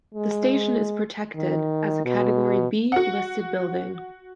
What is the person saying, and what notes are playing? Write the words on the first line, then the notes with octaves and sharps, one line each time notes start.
The station is protected as a category B listed building.
G#3
D#3
B2
F#4 F#5